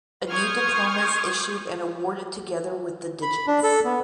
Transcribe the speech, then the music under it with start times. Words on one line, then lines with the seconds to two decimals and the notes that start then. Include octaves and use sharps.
A new diploma is issued and awarded together with the digits.
0.30 C6 C#6 D#6 F6 G6 G#6
3.22 B5
3.47 D4
3.63 A4
3.85 B3